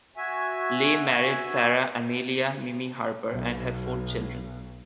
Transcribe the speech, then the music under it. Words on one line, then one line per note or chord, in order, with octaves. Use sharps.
Lay married Sarah Amelia "Mimi" Harper and had four children.
F#4 E5 G#5
B1 B2